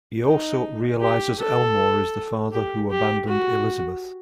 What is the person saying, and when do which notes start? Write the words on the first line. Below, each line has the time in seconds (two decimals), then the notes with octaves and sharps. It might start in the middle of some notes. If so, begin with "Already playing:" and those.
He also realizes Elmore is the father who abandoned Elizabeth.
0.24 D#4
1.01 G4
1.39 A4
2.52 G4
2.90 G4
3.27 F#4